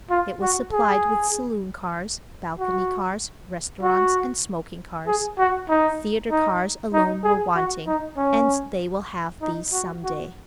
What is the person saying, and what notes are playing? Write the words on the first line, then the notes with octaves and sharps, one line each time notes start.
It was supplied with saloon cars, balcony cars, restaurants, and smoking-cars; theatre cars alone were wanting, and they will have these some day.
F4
F#4
G#4
F#4
F#4
G#4
F#4
D#4
D#4
D#4
G#4
F#4
D#4
C#4
D#4
F#4
F#4